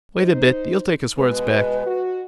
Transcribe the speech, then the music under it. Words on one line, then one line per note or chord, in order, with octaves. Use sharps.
Wait a bit, he'll take his words back.
D#4 C5
B2 G#3 B4
F#4